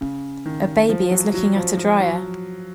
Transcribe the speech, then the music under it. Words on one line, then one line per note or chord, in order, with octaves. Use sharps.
A baby is looking at a dryer.
C#3
D#3
F3
F#3
F#3
F3
F3
F#3